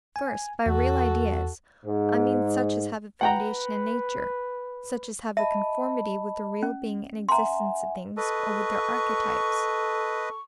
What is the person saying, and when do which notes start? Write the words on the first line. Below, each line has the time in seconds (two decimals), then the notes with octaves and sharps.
First, by REAL IDEAS, I mean such as have a foundation in nature; such as have a conformity with the real being and existence of things, or with their archetypes.
0.16 G#5
0.66 E2 F#4 A4
1.85 G#2
3.21 B4 F#5 G5 A#5
5.37 D#5 E5 A5 B5
6.63 C#4
7.29 E5 F#5 G#5 A#5 C6
8.17 A4 B4 D#5 C#6